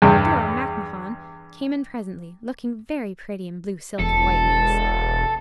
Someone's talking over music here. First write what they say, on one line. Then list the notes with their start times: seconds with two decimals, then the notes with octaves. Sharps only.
Dora Macmahon came in presently, looking very pretty in blue silk and white lace.
0.02 E2 G2 G5
3.99 E1 A4